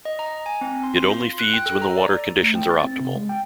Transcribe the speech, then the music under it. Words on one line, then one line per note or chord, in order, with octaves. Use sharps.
It only feeds when the water conditions are optimal.
D#5
A#5
G#5
C4
C6
C6
F4
F#6
G5
A4
A#5
D5
A3
G5
A6
C4
C3
G#3
G5